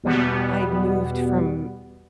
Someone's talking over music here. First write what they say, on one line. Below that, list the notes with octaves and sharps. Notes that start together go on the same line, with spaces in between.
Um, I moved from
E2 B2 G3 B3